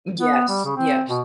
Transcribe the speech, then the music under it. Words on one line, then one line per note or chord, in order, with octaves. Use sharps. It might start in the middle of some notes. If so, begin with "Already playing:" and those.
Yes, yes.
B3
G3
C#3
C4
B2